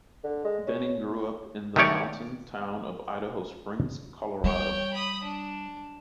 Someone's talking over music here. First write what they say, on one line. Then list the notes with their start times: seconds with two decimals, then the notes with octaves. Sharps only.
Denning grew up in the mountain town of Idaho Springs, Colorado.
0.24 D3
0.45 G#3
0.67 C#4
1.76 D#3 A3 D#4 G4 C#5 D5
4.44 G3 C#5 G5
4.93 B5 D#6
5.24 D4